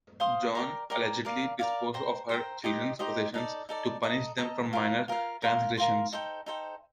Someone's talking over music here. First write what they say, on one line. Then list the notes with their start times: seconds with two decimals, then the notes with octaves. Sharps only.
Joan allegedly disposed of her children's possessions to punish them for minor transgressions.
0.20 C5 F5 C6 D#6
0.55 A#4 D5 G5 A#5
0.90 A#4 D5 G5 A#5
1.25 A#4 D5 F5
1.59 A#4 D5 F5
1.94 C5 G5 A#5
2.29 C5 G5 A#5
2.64 D#4 G4 C5 D#5
2.99 D#4 G4 C5 D#5
3.34 D#4 A4 D5
3.69 D#4 A4 D5
4.03 A4 D#5 A#5
4.38 A4 D#5 A#5
4.73 F4 A#4 F5
5.08 F4 A#4 F5
5.42 A#4 F5 C6
5.77 A#4 F5 C6
6.13 D#4 A4 C5 G5
6.46 D#4 A4 C5 G5